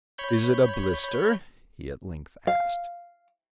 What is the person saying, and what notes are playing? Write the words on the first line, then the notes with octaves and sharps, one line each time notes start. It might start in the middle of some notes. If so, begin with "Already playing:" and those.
"Is it a blister?" he at length asked.
C#5 B5 G6
F5